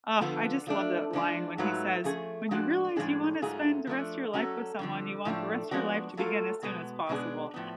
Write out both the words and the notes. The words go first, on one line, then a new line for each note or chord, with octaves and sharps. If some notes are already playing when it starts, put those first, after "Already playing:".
Ugh, I just love that line when he says, "When you realize you wanna spend the rest of your life with someone, you want the rest of your life to begin as soon as possible,"
D3 F3 B3 F4 A4
F3 A3 D4
F3 G#3 D4 F4
G#2 F#3 A3 F4 B4
F3 A3 C#4 G#4
A2 F3 G#3 D4 F#4
A2 F3 G#3 D4 G#4
G#2 F#3 A3 F4 G#4
F3 A3 D4
F#3 C#4 F#4 A4
F2 D3 F3
A2 F3 A3 D4
F3 G#3 B3 D4 F#4
F#3 A3 F4 A4
B2 G#3 B3
B2 G#3 B3 D4 G#4
A2 F3 B3